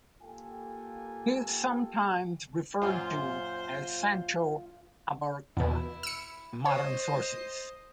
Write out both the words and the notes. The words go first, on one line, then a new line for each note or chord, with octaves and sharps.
He is sometimes referred to as Sancho "Abarca" by modern sources.
A#3 F4 G4 A4 G5 G#5
F#2 A#2 F4 C5
E2 B2 E4
E6 C#7
C5 C#5 D#5